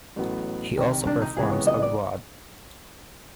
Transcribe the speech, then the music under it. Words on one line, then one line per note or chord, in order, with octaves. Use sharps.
He also performs abroad.
A1 A2 F#3 B3
C2 C3 D#3
D4
D#4
C#2 C3 E3 G#3 B3 G#4
C#5
D#5
D5